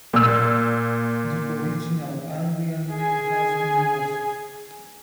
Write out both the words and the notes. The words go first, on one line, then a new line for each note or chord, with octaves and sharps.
The original Anglian name has been lost.
A#2 E6
G#4 G#5